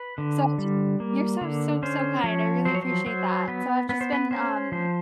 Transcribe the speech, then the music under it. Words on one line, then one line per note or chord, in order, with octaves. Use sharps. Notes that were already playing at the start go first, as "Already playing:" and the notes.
So, I just you're so, so, so kind. I really appreciate that. So I've just been, um,
Already playing: B4
D3
G3
A#3
D3
C#4 C5
F3 C#5
F#3 C5
C#5
C5
F#3 C5
B3 B4
B3 B4
C5
B4
C#4 C5
F3 C5